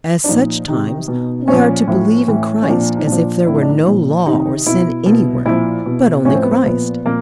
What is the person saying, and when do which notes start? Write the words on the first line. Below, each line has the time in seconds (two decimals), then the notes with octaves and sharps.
As such times we are to believe in Christ as if there were no Law or sin anywhere, but only Christ.
0.24 D4
0.28 A#2 F3 D#4
0.68 C3 D#3 D#4
1.08 B2
1.48 A#2 F3 C#4
1.88 A2 F3
2.28 A2 E3
2.62 C#4
2.68 A#2 F3 D4
2.97 D#4
3.07 A#2 D4
3.12 F3
3.47 A2 F3 E4
3.55 D#4
3.62 D4
3.70 D#4
3.87 A#2 F3
4.26 C3 D#3 D#4
4.66 B2 E4
5.06 B2
5.46 A#2 F3 E4
5.86 B2
6.25 A2 F3 C#4
6.34 C4
6.43 B3
6.51 C4
6.65 A#2 F3 B3
7.05 A#2 F3 A#3